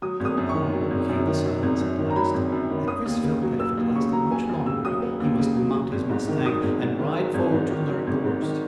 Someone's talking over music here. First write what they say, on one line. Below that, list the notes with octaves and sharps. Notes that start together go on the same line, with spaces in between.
So horrible became the silence at last that Chris felt that if it lasted much longer he must mount his mustang and ride forward to learn the worst.
F#3 D#6
G#1
D#6
F#2
C#6
D#3
F#3
G#1
F#2
D#3
F#3
G#1
F#2
D#3
A#5
F#3 B5
G#1
F#2
D#3
B3 D#6
D#2
C#3
F#3
B3 E6
D#2
C#3 C#6
F#3 A#5
B3 G#5
D#2
C#3 E6
F#3 D#6
B3
D#2
C#3
F#3
F#3
G#1
G#2
D#3
F#3 D#6
G#1
G#2
D#3
F#3
G#1
G#2
D#3
F#3
G#1
G#2
D#3